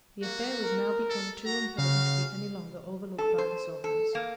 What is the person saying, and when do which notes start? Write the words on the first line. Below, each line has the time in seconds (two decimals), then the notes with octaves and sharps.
The affair was now become too important to be any longer overlooked by the sovereigns.
0.22 A#3 F#4
0.63 A#4
1.10 A4
1.46 F#4 A#5
1.78 C#3 F5
3.18 A4
3.38 C5
3.84 A4
4.15 A#3